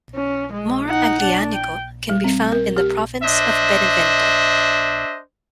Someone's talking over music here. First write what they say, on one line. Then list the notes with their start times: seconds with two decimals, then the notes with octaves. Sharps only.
More Aglianico can be found in the province of Benevento.
0.15 C#4
0.52 G#3
0.88 D#4 F#5
1.22 D4
1.53 G5
2.10 G3
2.24 C4
2.52 A#4
2.77 G4
3.22 D4 C5 D#5 E5